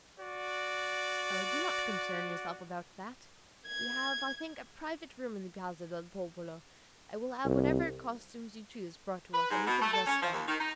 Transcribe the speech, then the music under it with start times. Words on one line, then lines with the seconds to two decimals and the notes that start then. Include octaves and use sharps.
"Do not concern yourself about that; we have, I think, a private room in the Piazza del Popolo; I will have whatever costumes you choose brought to us, and you can dress there."
0.18 F#4 D5
3.67 G#6
7.45 C2
9.34 B4
9.50 G#2
9.67 B2
9.82 A3
9.93 A4
10.07 C#4
10.22 F3
10.33 D#2
10.48 D#3
10.60 D#4